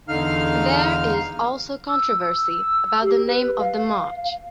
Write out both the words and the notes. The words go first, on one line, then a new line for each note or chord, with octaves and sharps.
There is also controversy about the name of the march.
E2 D3 D#4 F5 F6
E6
E6
G4
B4
F5